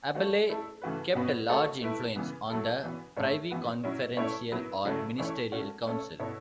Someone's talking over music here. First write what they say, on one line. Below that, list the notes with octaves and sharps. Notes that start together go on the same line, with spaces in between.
Abele kept a large influence on the Privy Conferencial or Ministerial Council.
A3 F#4 C#5
A3 E4 A4
C#3 E3 A3 F#4 B4
B2 B3 F#4 B4
A3 F#4 A4 C#5
A3 E4 B4
C#3 E3 B3
F#3 A3 E4 A4
E3 B3 F#4 B4
A2 A3 C#4 A4 C#5
E3 B3 F#4 B4
F#3 C#4 E4
A3 C#4 E4 C#5
F#3 B3 E4 B4
C#3 F#3 A3 E4 A4
E3 A3 C#4 E4 C#5
A3 C#4 F#4
A3 C#4 A4 C#5
B2 B3 E4 A4 C#5